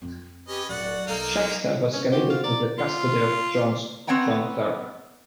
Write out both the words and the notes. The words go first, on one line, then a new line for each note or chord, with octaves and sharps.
Shaxton was committed to the custody of John Clerk.
F2 C4
C#4 G4 B4 D#5
D1 F#4 D5 F#5
B1 G3 A#3 D#4 A4 F5
C#4
F#4 G4 C5 F#5
F4
D5 A#5
F4
B3 C4 C#5 F#5 G5 A#5